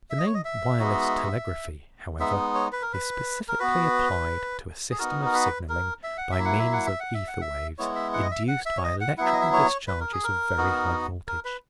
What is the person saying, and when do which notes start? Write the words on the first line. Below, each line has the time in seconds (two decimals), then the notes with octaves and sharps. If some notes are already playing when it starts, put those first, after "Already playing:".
The name "Wireless Telegraphy," however, is specifically applied to a system of signaling by means of ether-waves induced by electrical discharges of very high voltage.
0.10 E5
0.18 D#5
0.26 C#5
0.34 D#5
0.45 E5
0.79 G#3 B3 D#4 F#4
2.19 G#3 B3 D#4 E5
2.55 C#5
2.72 B4
2.82 A#4
2.93 B4
3.48 A#4
3.59 B3 F#4 B4
4.91 G#4
4.99 B3 D#4 F#4 A#4
5.26 A#4
5.34 B4
5.69 A#4
6.03 E5
6.17 F#5
6.32 E5
6.38 F#3 A#3 E4
6.45 F#5
6.59 E5
6.73 F#5
6.86 E5
7.00 F#5
7.14 E5
7.27 F#5
7.41 E5
7.78 G#3 B3 E4 C#5
7.96 E5
8.13 F#5
8.22 D#5
8.31 E5
8.48 F#5
8.66 E5
8.78 C#5
8.84 D#5
9.01 F#5
9.18 F#3 B3 E4 F#5
9.26 E5
9.33 D#5
9.41 E5
9.53 C#5
9.88 B4
10.00 A#4
10.12 G#4
10.24 A#4
10.58 B3 D#4 F#4
11.28 A#4
11.45 B4